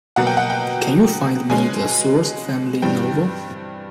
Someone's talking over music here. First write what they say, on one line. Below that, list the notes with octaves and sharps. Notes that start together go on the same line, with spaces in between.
Can you find me The Source Family novel?
B2 F#3 A#3 F#5
G5
F#5
G5
B2 G#3 C#4 G#5
G2 E3 G3 C4 G5